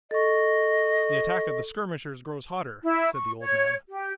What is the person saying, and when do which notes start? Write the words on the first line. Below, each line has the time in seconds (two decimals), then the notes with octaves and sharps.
"The attack of the skirmishers grows hotter," said the old man.
0.11 A4 D#5 C#6
2.83 E4
3.13 C#6
3.40 C#5
3.90 G4